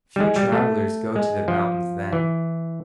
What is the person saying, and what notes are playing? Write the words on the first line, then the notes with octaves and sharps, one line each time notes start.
Few travellers go to the mountains then.
G3
G#3
G3
A3
G#3
F3
E3